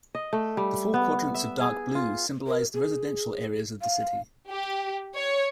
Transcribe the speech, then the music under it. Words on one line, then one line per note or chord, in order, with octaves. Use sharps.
The four quadrants of dark blue symbolize the residential areas of the city.
D#5
A3
G3
B3
E5
G#4
F4
A#4
G#4
F5
G4
C#5